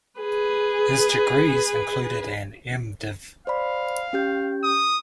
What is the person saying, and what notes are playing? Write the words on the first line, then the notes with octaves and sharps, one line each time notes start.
His degrees included an M. Div.
G#4 B4
C5 D5 F5 B5
C#4 G4 G6
D#6